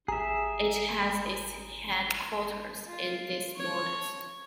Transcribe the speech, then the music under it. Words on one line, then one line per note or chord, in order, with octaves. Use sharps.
It has its headquarters in Des Moines.
G#1 G#4 E5 A#5
F4
C#5